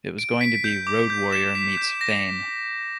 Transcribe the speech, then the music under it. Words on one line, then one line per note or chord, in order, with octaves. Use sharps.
It was going to be Road Warrior meets "Fame".
D7
B6
G6
D6
G6
E7
B6
G6
A#6